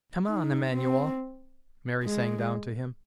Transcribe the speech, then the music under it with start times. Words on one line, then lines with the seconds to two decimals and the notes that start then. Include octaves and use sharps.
"Come on, Emanuel," Mary sang down to him.
0.27 D#4
0.71 C4
2.04 G#3